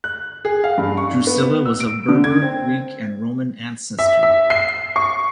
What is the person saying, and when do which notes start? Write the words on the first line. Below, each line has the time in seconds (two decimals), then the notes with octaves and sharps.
Drusilla was of Berber, Greek and Roman ancestry.
0.04 F#6
0.45 G#4
0.64 F5
0.78 G2
0.97 C#6
1.10 D4
1.27 B3
1.66 E6
1.80 D7
2.09 D3
2.24 G#6
2.42 C4
3.99 E5
4.23 E5
4.50 C7
4.96 C#6